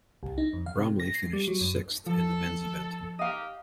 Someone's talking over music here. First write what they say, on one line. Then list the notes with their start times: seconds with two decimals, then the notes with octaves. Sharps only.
Bromley finished sixth in the men's event.
0.23 C2
0.38 D#4
0.53 F2
0.66 F5
0.78 C3
1.00 A#6
1.15 C7
1.33 G3
1.48 F#3
1.61 F#2
2.07 F3 A4
3.19 D#4 G4 A#4 D#5 F5